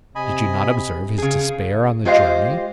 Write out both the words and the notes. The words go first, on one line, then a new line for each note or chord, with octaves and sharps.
Did you not observe his despair on the journey?
C3 D#5 G#5 B5
C#3 G#4
G#3 F4 G4 C5 D#5 F5